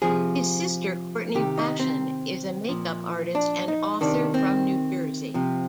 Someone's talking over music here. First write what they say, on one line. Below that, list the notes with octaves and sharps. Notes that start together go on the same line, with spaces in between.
His sister Courtney Rashon is a makeup artist and author from New Jersey.
C3 F3 G#4
C3 D#3 G4
D#4
C4
A#2 F3
D4
D#4
C3 D#3 D4
C4
C3 F3